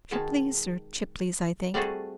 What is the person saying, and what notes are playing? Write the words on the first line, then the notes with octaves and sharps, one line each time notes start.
Tripley's or Chipley's, I think.
B2 D#3 G#3 D#4 A5
G3 A3 C4 F#4 G#4 A4